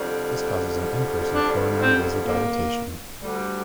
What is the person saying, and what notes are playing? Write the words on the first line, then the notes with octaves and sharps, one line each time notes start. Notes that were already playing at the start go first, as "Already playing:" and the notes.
This causes an increase in coronary vasodilatation.
Already playing: F2 D3 G3
D4
C4
A#3
D2 D3 G3